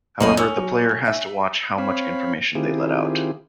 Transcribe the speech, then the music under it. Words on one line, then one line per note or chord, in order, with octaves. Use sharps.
However, the player has to watch how much information they let out.
C#2 F#2 A#3 D#5 G#5 F#7
C#4 E6
F#3
E5
C4 C#5 F5 B5
D#3 C4 E4 F4 G4 G#4